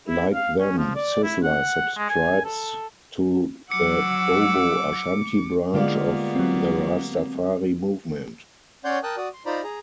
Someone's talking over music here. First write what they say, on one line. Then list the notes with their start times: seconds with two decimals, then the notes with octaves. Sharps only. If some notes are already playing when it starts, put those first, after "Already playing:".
Like them Sizzla subscribes to the Bobo Ashanti branch of the Rastafari movement.
0.08 E4
0.34 F5
0.60 C#4
0.77 F3
0.95 D5
1.24 E4
1.44 F#5
1.97 G#3
2.10 G#5
2.45 A4
3.71 F#3 F#5 D6 E6 C#7
5.74 D3 G3 G#3 A#3 B3 F4 D5 F5
6.35 F#3 C4
8.85 C#4 C#5 D5 F#5 C6 G6
9.03 A#4 G5 A5 D#6 F#6
9.17 F#4 D5 D#6
9.34 C6
9.46 D#4 F4 C5 D5 A#5 B5
9.64 G#4 A#5